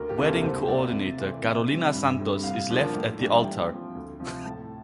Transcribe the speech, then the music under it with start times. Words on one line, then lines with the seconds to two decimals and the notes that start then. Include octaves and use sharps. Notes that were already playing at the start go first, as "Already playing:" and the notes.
Wedding coordinator Carolina Santos is left at the altar.
Already playing: D2 A#4
0.09 G4
0.18 C3 E3 A#3 D4
0.25 A4
0.43 C2 C5
0.68 A#2 A3 C4 D5
0.92 C3
1.18 E3 A3 C4
1.43 C3 E5
1.68 E3 G3 C4
1.93 G2
2.19 D3 G3 C4
2.43 C2 F5
2.69 A#2 F3 A#3 D4
2.94 A2
3.19 E3 G3 D4
3.44 A#2 G5
3.70 F3 C4
3.95 D2
4.20 C3 F3
4.45 A2 A5